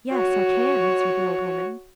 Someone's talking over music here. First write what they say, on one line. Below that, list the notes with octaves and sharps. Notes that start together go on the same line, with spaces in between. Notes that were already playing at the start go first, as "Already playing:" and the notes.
'Yes, I can,' answered the old woman.
F#4 C#5